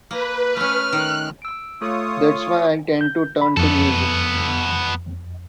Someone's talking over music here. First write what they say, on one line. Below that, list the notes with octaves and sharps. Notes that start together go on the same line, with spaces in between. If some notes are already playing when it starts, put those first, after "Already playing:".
That's why I tend to turn to music.
A#3 B4
A3 C#4 F6
D#3 F#6
E6 D7
A3 F4 A4 C#5 D#6
G6
B5
F2 B3 A4